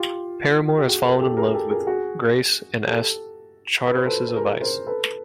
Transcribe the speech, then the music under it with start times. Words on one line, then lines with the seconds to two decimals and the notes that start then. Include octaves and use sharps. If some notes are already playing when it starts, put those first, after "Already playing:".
Paramore has fallen in love with Grace and asks Charteris's advice.
Already playing: F4 G4
0.78 G4
0.87 F#4 G#4
1.04 G#4 A#4
1.20 G4 A4
1.37 G#4 A#4
1.54 G4 A4
1.70 G#4 A#4
1.87 F#4 G#4
2.87 G4 A4
3.87 B4
3.96 C5
4.06 A4 B4
4.28 B4
4.36 G#4 A#4
4.61 A#4 C5
4.86 A4 B4